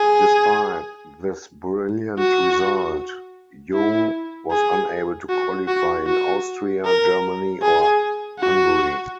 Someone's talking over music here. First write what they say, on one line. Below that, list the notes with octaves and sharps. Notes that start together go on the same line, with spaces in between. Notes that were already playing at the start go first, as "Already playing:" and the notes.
Despite this brilliant result, Yoong was unable to qualify in Austria, Germany or Hungary.
Already playing: G#4
F#4
E4
G#4
F#4
F#4
F#4
A#4
G#4
F#4